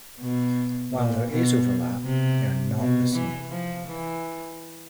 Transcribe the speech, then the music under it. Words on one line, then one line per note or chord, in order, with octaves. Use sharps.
While there is overlap, they are not the same.
B2
A#2
B2
C3
B2
E3
F3
E3